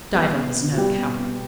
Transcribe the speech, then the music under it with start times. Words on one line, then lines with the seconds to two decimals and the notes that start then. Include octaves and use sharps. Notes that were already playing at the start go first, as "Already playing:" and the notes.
Diva was no coward.
0.15 G3 B3 B4
0.36 B2
0.56 B2
0.73 F#4
0.77 B2 G3 G4
0.98 B2
1.19 B2